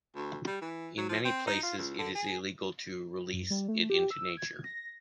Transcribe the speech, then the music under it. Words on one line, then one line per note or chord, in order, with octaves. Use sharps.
In many places it is illegal to release it into nature.
D2
G3
E3
F#3
F3
C4
D#4
F4
C#2
D3
G#4
F#2
G3
A3
G4
E6
G#6
A#6